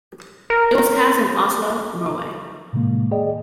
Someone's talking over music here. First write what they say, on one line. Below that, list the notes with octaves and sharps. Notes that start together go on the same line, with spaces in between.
It was cast in Oslo, Norway.
A#4
A2 C3 D#3 G#3 A#3
G#4 D5 D#5 G5